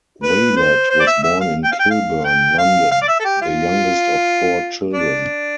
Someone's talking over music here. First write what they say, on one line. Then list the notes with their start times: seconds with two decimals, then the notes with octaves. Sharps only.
Waylett was born in Kilburn, London, the youngest of four children.
0.23 B4
0.56 C5
0.90 C5
1.00 D5
1.07 E5
1.23 E5
1.41 F5
1.64 G5
1.72 F5
1.79 G5
1.91 F5
2.24 G5
2.58 F5
2.91 F5
3.02 D5
3.08 E5
3.20 A4
3.25 G4
3.42 F4
4.93 D4